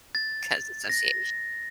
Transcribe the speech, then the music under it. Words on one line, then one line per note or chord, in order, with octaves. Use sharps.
'cause association.
A6
A#6